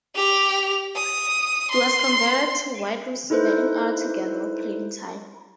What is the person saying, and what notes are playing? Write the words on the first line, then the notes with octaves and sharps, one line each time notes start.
He was converted to wide receiver in order to get more playing time.
G4 F7
D#6
C6
D#4 E4 A4 B4 C5